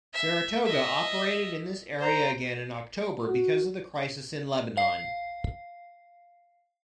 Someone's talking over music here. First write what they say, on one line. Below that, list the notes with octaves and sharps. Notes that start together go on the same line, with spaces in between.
"Saratoga" operated in this area again in October because of the crisis in Lebanon.
E5
D#5 E5
C5 A#5
F#4
F5 C7